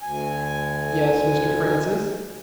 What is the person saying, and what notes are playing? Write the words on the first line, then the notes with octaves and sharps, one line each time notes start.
"Yes, Mr. Francis?"
D2 G#5